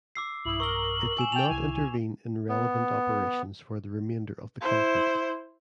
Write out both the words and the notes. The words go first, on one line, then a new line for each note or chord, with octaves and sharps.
It did not intervene in relevant operations for the remainder of the conflict.
D6 E6 C7
B1 G2 E4 D#6 F#7
A#4 C#6 E6 G7
G#5 E6 E7
G5 A5 F7
C2 C3 E4 G#5
B3
E4 C5